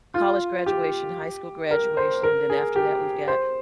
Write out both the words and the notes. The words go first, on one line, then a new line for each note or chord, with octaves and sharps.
college graduation, high school graduation, then after that, we've got
F4
G4
A#4
C5
A#4
G#4
G4
C5